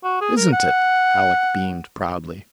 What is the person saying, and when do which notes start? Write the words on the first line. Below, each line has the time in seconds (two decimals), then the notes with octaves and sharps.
"Isn't it?" Alec beamed proudly.
0.04 F#4
0.21 G#4
0.37 A#4
0.53 F#5